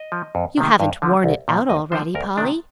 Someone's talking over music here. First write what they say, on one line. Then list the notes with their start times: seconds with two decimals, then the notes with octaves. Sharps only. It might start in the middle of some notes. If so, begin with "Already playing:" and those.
"You haven't worn it out already, Polly?"
Already playing: D#5
0.12 F3
0.35 F2
0.58 C3 D#3
0.80 G2
1.02 D3 F3
1.24 C2
1.48 A#2 F3
1.69 D#2 D#5
1.92 D3 F3 C5
2.15 D2 A#4
2.37 D#3 D4
2.41 C3